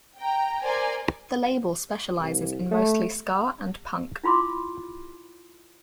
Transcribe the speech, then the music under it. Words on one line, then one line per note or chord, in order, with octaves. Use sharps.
The label specializes in mostly ska and punk.
G5 A#5
A#4 C5 D5 G#5 A#5 C6
C2
A3
E4 F4 B5 C6 D6